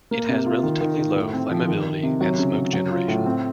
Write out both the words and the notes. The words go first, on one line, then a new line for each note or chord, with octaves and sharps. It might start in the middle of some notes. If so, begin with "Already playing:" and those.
It has relatively low flammability and smoke generation.
A#3
C3
F4
D#3
D#3
D#4
A2
C4
F3
D#3
D#3
C3
F#3
C#3
C#3
F#3
F4
A2
C4